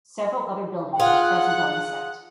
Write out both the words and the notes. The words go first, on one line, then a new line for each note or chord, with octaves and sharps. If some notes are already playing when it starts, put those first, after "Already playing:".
Several other buildings were present on the site.
F4 G#4 F#5